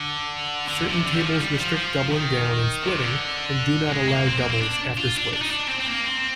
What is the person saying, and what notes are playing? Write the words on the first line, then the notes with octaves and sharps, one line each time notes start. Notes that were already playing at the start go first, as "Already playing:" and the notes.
Certain tables restrict doubling down and splitting, and do not allow doubles after splits.
Already playing: D3
D3
C3
D3
G3
F3
G3
F3
F3
D#3
C3
D3
G#3
A#3
C4
A#3
C4
D4
F4
D4
D4
D#4
D4
C4
C4
A#3
C4